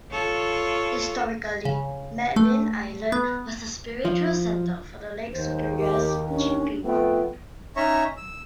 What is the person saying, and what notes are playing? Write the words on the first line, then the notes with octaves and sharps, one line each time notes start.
Historically, Madeline Island was a spiritual center for the Lake Superior Chippewa.
F4 A4 C#5
C#3
A3
B3
F3
D#2 C5
G4 A#4
C#4 D4
F2 A3 B3 F4 G5
C#4 D#4 C#5 E5 A#5 C#6
E6